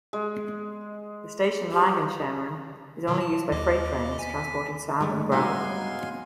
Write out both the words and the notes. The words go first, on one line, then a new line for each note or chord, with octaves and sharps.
The station Langenschemmern is only used by freight trains, transporting sand and gravel.
G#3
G4
B2 D#3 F#3
A5
D#2 D#5 D6
G#5 B6
G2 G#3 A3
F#3 G#3 B3 D#4 F#4 F5 G#5 C6